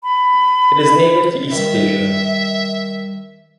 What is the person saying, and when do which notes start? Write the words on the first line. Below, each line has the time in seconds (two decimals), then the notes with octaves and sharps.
It is native to East Asia.
0.03 B5
1.52 G2 D#3 E5